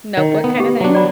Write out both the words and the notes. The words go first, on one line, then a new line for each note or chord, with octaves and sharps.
notebook kinda thing?
D#3
B3
G4
F#3 D4
D5 B5